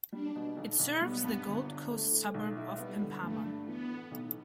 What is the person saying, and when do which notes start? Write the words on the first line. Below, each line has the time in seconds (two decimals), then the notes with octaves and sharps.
It serves the Gold Coast suburb of Pimpama.
0.13 G3 D4
0.36 B2
0.57 B1
0.79 B1
1.01 G3 B3
1.24 G2
1.46 G1
1.67 D4
1.91 A3
2.12 A2
2.34 B1
2.57 E4
2.78 G3 B3
3.01 D3
3.23 G2 A3
3.45 D4
3.67 E3 B3
3.89 A2
4.11 B1